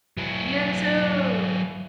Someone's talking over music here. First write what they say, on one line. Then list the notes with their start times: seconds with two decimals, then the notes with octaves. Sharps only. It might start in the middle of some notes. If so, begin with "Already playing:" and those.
You too.
0.17 F#3 E4